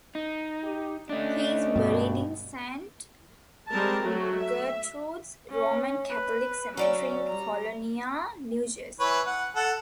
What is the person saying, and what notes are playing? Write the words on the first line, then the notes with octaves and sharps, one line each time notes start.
He is buried in Saint Gertrude's Roman Catholic Cemetery in Colonia, New Jersey.
D#4
G4
A3 C#4 D4 D#5
G2 B2
G3 G#3 C4 A#4 A5
F#3 A3 F#4
E5
C#4
B4
F#3 C#4 D5 E5
G3 A#5
E3 B4 C#5
F#5
A4 F#5